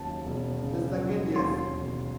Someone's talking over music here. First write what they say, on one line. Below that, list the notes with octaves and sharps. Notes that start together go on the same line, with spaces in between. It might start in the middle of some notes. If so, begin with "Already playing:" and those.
The second, Yes!
Already playing: D#2 C#3 F#3 A5
E1
C#3
F#3
D#2 C6
E1